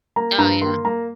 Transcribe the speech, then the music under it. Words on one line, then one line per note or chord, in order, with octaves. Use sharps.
Oh, yeah.
A#3 A#5
G2 A#5
A#3 C6
A#3 A#5